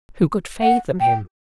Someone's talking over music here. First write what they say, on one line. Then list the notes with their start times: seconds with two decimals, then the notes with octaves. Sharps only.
Who could fathom him?
0.62 F#5
1.01 G5